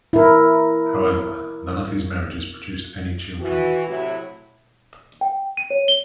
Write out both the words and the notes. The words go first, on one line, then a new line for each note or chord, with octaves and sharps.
However, none of these marriages produced any children.
E4 A#4
E3 F#4
A2 C3 F#3 E4
G5
D#7
C#5
G7